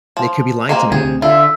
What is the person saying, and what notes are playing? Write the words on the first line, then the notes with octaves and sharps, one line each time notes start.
They could be lying to me.
F3
G#3 A#3 C4
D2 C3 G#4
D3 F4 E5